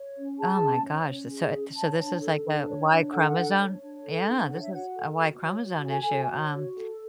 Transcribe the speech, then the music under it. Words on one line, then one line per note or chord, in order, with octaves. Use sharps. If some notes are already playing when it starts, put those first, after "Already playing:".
Oh my gosh. So, eh so this is, like, a Y chromosome Yeah, this is a Y chromosome issue. Um
Already playing: C#5
C#4
G#4 A5
C#4
C#5
C#4
G#4
C#4
C#5 A5
D4
A4
D4
C#5
D4
A4 F#5
D4
C#5
D4
A4
D4
C#5 F#5
E5
F#4 F#5
A4
F#4
C#5
F#4
A4 G#5
F#4
C#5
F#4
A4